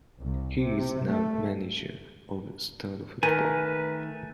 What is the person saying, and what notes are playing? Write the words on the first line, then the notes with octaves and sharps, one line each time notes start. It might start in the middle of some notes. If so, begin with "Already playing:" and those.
He is now manager of Stord Fotball.
C2
C3
A3
D#3 A3 A#4 B4 G#5